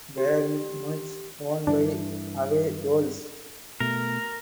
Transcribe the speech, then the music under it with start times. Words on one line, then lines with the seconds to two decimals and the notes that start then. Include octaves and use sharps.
Bayern Munich won by away goals.
0.18 G4
1.67 G2 E3 D4
3.80 B2 A3 A#4